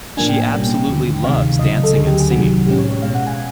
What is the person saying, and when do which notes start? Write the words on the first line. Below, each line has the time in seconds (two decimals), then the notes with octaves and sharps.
She absolutely loves dancing and singing.
0.17 A2 F3 A#3 D4 G#5
0.29 G5
0.41 G5
0.52 B2 G3 A#3 C#4
0.88 D#2 D3 F3
1.24 D2 C3 D#3 G#3 F5
1.59 C#2 C#3 F#3 D#5
1.84 A4
1.95 D2 D3 F#3 G#4
2.07 G4
2.19 G#4
2.30 C2 C3 D#3 F#3 F#4
2.66 A2 F3 G#3 C#4 G4
2.78 C#5
2.90 C#5
3.02 B2 G#3 C#4 F5
3.15 F#5
3.27 G#5